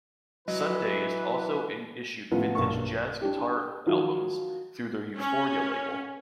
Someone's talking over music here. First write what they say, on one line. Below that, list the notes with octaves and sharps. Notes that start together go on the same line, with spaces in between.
Sundazed also issued vintage jazz guitar albums through their Euphoria label.
E3 F#3 B4 D#5
A1 F3 B3
B1 G2 A#3 C#6
D4 G4
D#3 F3 F#3
C#4